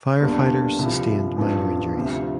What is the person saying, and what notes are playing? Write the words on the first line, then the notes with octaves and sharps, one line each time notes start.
Firefighters sustained minor injuries.
E2 D3 G3 A#3 D4
C2 C3 F3
A1 G2 F3
D2 C3 F3